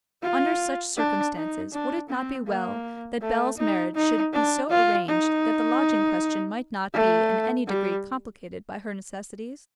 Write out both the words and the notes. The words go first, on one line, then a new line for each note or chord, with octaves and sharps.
Under such circumstances would it not be well that Bell's marriage should be so arranged that the lodging question might not be in any degree complicated by her necessities?
F4
D4
D#4
D4
C4
A#3
A3
D#4
D#4
D4
F4
D#4
A3
G3